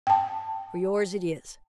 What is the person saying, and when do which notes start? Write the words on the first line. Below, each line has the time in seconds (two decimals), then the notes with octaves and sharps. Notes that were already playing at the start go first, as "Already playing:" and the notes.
For yours it is.
0.07 G5 A5